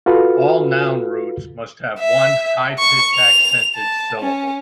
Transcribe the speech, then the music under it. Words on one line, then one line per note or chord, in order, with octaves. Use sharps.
All noun roots must have one high-pitch accented syllable.
F4 F#4 A4 B4 F5
E5
C#6
F7
A5
C#4